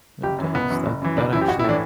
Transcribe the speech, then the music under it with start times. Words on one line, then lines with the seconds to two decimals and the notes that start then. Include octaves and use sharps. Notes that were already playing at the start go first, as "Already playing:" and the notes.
But it does, that that actually
0.23 F#1 G4
0.38 F#2 E3
0.55 F#1 B3
0.70 F#2 E3
0.86 F#1
1.02 F#2 E3
1.17 F#1 D4
1.33 F#2 E3 E4
1.41 G4
1.48 A1 F#4
1.59 E4
1.64 A2 E3 D4